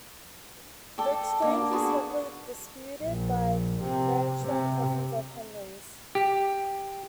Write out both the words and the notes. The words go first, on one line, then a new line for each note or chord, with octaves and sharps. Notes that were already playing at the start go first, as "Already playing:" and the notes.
The exchange was heavily disputed by branch line cousins of Henry's.
A4 D5 G5
D3 A#3
B3 F#4 G#4 B4
A#1
C3
C3
G4